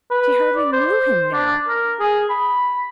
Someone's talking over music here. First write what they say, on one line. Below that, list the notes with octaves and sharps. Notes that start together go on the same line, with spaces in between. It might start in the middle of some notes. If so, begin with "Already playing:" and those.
She hardly knew him now!
B4
D5
C5
D4
A#4
G#4
B5